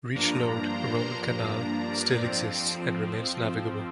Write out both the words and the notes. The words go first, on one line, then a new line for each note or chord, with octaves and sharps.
Reach Lode, a Roman canal, still exists, and remains navigable.
G2 F3 A#3 D4 A#5
C6
G2 F3 A#3 D4 A#5
D5
F2 F3 C4